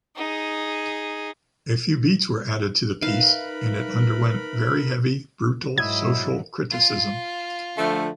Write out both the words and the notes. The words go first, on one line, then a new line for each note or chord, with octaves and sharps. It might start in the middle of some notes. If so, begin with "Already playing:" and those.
A few beats were added to the piece, and it underwent very heavy, brutal social criticism.
D#4 G#4
D#4 A#4 B4 E5 F5 B5
G#2 F#3 E4 D#5 E5 G#6
F4
D3 F3 A3